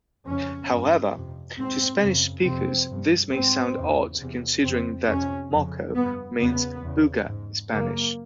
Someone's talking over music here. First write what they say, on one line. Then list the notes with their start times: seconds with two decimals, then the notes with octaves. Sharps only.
However, to Spanish-speakers, this may sound odd, considering that "moco" means "booger" in Spanish.
0.25 F2 C#3 C#4
0.69 G2
1.13 F2 C3
1.57 G#2 C4
2.00 F#2 C#3
2.44 F2 C3 C4
2.88 G2
3.32 G#2 C4
3.75 E2 C#3
4.20 E2 C3
4.63 F2 C#3 C4
5.07 F2 C3 C#4
5.51 F2 C#3
5.94 G2 B3
6.38 E2 C#3 B3
6.83 E2 C#3
7.26 G#2
7.70 F#2 C#3 A#3